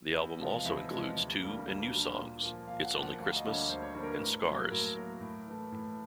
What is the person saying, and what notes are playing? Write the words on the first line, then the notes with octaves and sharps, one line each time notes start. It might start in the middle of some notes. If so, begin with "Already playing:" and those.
The album also includes two and new songs, "Its Only Christmas" and "Scars".
E2
C3 F3 G#3
F5
E2 E5
C3 F3 G#3
D2
D3 G3 A#3
D2
D3 G3 A#3
A#2
F3 A#3
A#2 F5
F#5
F3 A#3
F#5
D2 F5
D#5
D3 G3 A#3
C#5
D2 C5
C#5
D3 G3 A#3 C5
A#4
B4
A2
F#3 A#3
A2 A#4
F#3 A#3
A2
E3 A3
A2